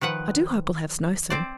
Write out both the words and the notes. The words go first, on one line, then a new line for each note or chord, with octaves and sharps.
I do hope we'll have snow soon.
D#3 F3 B4 F#5
C4 C5 D5